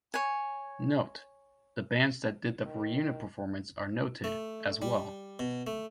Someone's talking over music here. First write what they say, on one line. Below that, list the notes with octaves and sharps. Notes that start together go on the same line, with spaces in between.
Note: The bands that did the reunion performance are noted, as well.
C#5 G#5
D#3
A3
G3
B2
A3